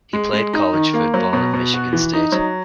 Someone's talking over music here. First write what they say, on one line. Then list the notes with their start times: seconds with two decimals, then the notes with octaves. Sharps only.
He played college football at Michigan State.
0.13 G#3
0.33 G#3
0.53 D#4
0.74 D#3
0.94 A#3
1.14 F#3
1.33 B2
1.54 B2
1.73 F#4
1.93 E3
2.13 D#4
2.32 F#3